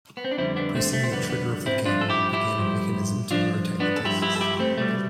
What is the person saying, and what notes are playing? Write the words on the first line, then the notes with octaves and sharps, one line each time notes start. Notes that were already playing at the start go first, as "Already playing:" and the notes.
Pressing the trigger of the gun began a mechanism to rotate the discs.
B3
C4
D4
F2 D3 G3 C4 E4
B3 D4
A3 C4
A3
C4
F2 D3 G3 B3
B3
C4 E4
G2 F3 D4 F4
A4
E4 G4
E4 G4
G2 F3
G2 F3 D4 F4
B3 D4
A4
G2 F3 E4 G4
E4 G4
A4
E4 G4
A3 C4
C2 B2 G3 A3